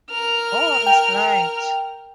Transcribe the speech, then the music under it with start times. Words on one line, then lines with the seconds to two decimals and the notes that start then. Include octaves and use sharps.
God is Light.
0.11 A#4 F6
0.86 G5